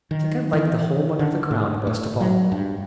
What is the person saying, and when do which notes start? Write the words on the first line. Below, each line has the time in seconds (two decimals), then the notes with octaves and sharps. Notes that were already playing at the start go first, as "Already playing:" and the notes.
"I think I liked the home under the ground best of all."
0.11 D#3
0.53 E3
1.19 D3
1.51 A2
1.87 A2
2.21 F#3
2.52 G2